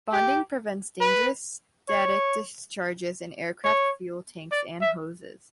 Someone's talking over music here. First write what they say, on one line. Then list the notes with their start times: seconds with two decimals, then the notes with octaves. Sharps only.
Bonding prevents dangerous static discharges in aircraft fuel tanks and hoses.
0.13 G4
1.00 B4
1.89 C#5
3.64 C#5
4.51 D5
4.81 E5